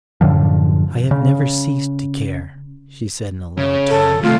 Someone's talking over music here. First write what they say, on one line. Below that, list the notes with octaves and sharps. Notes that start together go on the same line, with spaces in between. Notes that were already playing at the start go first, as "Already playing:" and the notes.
"I have never ceased to care," she said in a low tone.
F#2 A2 D3 F3
C#3
C#3 C#5
A4
D#2 C3 A3 F4